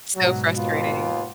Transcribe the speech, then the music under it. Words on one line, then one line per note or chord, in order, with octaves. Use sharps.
So frustrating.
G#2 B2 F#3
D#2 B3 F4